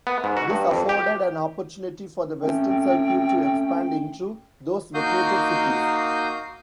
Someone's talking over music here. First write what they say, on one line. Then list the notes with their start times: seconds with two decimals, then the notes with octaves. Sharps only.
This afforded an opportunity for the Western circuit to expand into those vacated cities.
0.07 B3
0.24 G#2
0.37 F#4
0.50 G2
0.71 F2
0.89 G4
2.42 A3 C4 C#4 G5
4.94 A#3 D#4 F#4 F5 D#6 G6